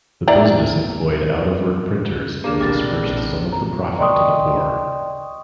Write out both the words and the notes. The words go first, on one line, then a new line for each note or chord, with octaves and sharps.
The business employed out-of-work printers and disbursed some of the profit to the poor.
E4 D5 A#5
A#3 D4 G4 G#4
F1 A#1 D6 A6
A#5
D5 D#5 G5 C6 C#6 D#6